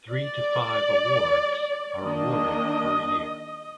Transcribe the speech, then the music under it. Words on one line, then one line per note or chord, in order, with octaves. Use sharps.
Three to five awards are awarded per year.
D5
D#3 A#3 D4 D#5